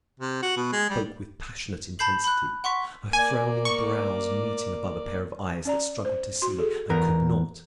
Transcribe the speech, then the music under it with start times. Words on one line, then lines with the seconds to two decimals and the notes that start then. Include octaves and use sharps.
She spoke with passionate intensity, her frowning brows meeting above a pair of eyes that struggled to see and could not.
0.20 C3
0.43 F#4
0.57 B2
0.73 G#3
0.90 G3
1.99 A5 B5 G6 C7 F#7
2.24 B5 F#6
2.64 F#5 C6 C#6 B6
3.13 A#3 D5 G#5
3.65 C#6
5.65 C#4 D5 A#5
6.05 C5
6.42 F#4 C6
6.58 G#4 A4
6.90 E2 B3 A#4